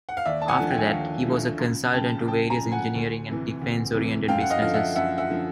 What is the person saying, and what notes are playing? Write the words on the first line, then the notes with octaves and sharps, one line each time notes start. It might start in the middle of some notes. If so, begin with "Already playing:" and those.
After that, he was a consultant to various engineering and defense-oriented businesses.
F#5
F5
D#2 D5 E5
A5
F#5 G#5
D3 F3
G5
G#5
F5 G5
D#2
D3 F3
C#2
C#3 F3 G5 A5
C#2 G5 A5
G#5 A#5
C#3 F3
F#5 G#5
D2
C3 E3
D2
C3 E3
F#2 F5 G5
F#5
D#5 F5
D3 F3 F5
E5 F#5
F#2 E5 F#5
E5 F#5
D3 F3